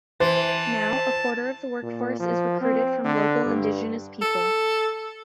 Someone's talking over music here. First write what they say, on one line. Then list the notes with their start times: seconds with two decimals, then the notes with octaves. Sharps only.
Now a quarter of the workforce is recruited from local indigenous people.
0.20 E3 C5 A5
1.83 A#2
2.20 F3
2.61 C4
3.05 D3
3.46 G2
4.22 A4